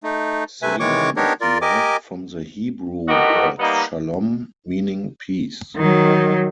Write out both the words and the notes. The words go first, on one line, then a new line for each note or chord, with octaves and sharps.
Salem is derived from the Hebrew word "shalom", meaning "peace".
A3 D#4
C3 A3 B4 E5 G#5
D#3 E3 G#3 C#5 C#6 D6
B3 D4 D#4 G4 A#4 C#5
F4 A#4 D5
G4 A#4 D#5 G#5 D6
A2 B3 F#4 G4 A#4 D#5
G3 A#3 B3 D#4
D#3 F#3